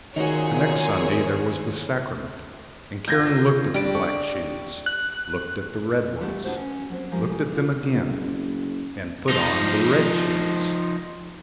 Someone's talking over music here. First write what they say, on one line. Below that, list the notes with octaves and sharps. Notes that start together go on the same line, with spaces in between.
The next Sunday there was the sacrament, and Karen looked at the black shoes, looked at the red ones--looked at them again, and put on the red shoes.
F#2 A#2 D#3 D#4 F#4 G#4 C5 C#5
D2 F4 G6 G#6 A#6
G3 D4 G4 D7
C#6
F#6
E3 G3 A3 A#4 F#5
B3 D4 E4 F#4 C5
C#4
F#3 A#3 C4
F3 G3 G#3 G#4 A#4
D4 F4
F#1
F3 D#4